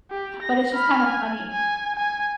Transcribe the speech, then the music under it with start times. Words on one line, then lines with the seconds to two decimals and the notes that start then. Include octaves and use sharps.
But it's just kinda funny.
0.11 G4
0.42 A#6
0.73 B5 F6
1.07 G#5
1.51 G#5
1.96 G#5